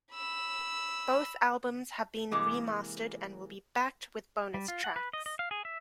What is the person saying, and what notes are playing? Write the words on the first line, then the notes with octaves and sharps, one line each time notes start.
Both albums have been remastered and will be backed with bonus tracks.
B5 E6
C3 E3 G#3 A#3
G3
F4
F#5
B4
D#5
D#5
F5
G#4
E5